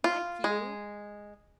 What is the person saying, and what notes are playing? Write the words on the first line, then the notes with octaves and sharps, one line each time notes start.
Like you?
F4
G#3